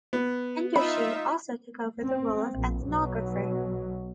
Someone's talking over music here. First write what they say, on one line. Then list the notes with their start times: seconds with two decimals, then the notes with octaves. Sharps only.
Herderschee also took over the role of ethnographer.
0.13 B3
0.76 D#4 F4 E5 B5
2.03 C4
2.56 A#1
2.86 B1 B2 F#3